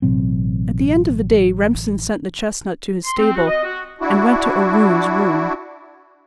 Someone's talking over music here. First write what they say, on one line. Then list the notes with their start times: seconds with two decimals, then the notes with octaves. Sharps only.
At the end of the day Remsen sent the chestnut to his stable and went to O'Roon's room.
0.02 A1 B2 F#3 C4
3.04 C6
3.18 C4
3.35 F#4
3.47 D#5
3.63 F#4
4.01 D4 E4 F#4